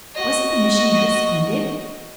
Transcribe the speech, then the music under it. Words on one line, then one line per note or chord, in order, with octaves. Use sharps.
Wasn't the missionary splendid?
F#4 D#5